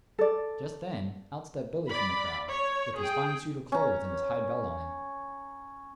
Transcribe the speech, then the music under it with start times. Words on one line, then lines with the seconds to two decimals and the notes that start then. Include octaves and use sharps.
Just then, out stepped Billy from the crowd, with his fine suit of clothes and his hide belt on him.
0.19 A4 D5
1.89 D5 B5
2.49 C#5
2.99 G#4 G5
3.72 C#4 A#5